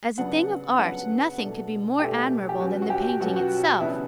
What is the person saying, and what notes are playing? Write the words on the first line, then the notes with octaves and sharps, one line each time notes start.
As a thing of art nothing could be more admirable than the painting itself.
C#3 F#3 B3 D4 F#5
C#3 F#3 B3 D4 F#5
B2 A3 D4
B2 A3 D4 G4
G4
B2 F#3 C#4 F#4
F#4
G4
B2 F#3 C#4 F#4
F#4
C#3 E3 B3 D4 E4